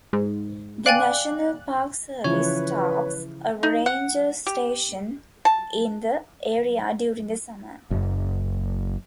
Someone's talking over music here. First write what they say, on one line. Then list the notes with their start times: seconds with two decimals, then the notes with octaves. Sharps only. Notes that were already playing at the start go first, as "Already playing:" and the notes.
The National Park Service staffs a ranger station in the area during the summer.
0.13 G#2
0.86 D5 F5 G5 G#5 F#6
2.24 C#3 E3 F3 B4 C#5
3.63 D#4
3.86 F#5
4.47 G4
5.45 A5
7.91 F#1 F#2